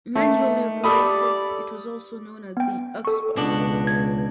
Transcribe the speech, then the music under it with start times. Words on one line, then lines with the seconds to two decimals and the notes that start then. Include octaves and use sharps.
Manually operated, it was also known as the Ox Box.
0.15 A3 A#3 D#4
0.84 G4 A4 D5 B5 D#6
2.57 B3 G5
3.05 A4 C#6
3.36 C#2 B2 D4 F#5
3.87 G#6